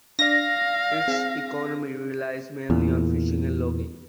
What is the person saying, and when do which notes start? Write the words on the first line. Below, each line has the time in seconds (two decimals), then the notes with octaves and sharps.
Its economy relies mainly on fishing and logging.
0.19 D4 D5 F5 A#6
1.08 C4 G#4
2.70 E2 A#2